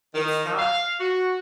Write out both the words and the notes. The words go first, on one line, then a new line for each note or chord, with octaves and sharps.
it's not
D#3
F5
F#4